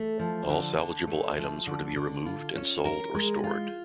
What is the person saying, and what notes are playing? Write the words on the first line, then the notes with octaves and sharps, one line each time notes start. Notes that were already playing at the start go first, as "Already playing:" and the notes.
All salvageable items were to be removed and sold or stored.
Already playing: A3
F3
D3
D3
A3
F3
D3
D3
F4
C#4
A#4
G#3
F4